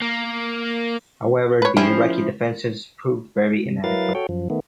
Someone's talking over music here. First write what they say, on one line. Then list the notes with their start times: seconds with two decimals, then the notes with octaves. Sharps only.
However, the Iraqi defenses proved very inadequate.
0.02 A#3
1.62 B4 C#5
1.77 F3 G3 C#4 E4
3.66 C3
3.84 F#3 E4 A#4 B4 F5 A6
4.15 F#4 A4 C#5 G5
4.29 F#2 F3
4.50 D#3 A3 B3